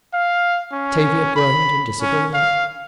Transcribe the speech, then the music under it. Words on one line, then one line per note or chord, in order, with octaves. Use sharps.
Tavia groaned in disagreement.
F5
C#4
B5
C#4
F5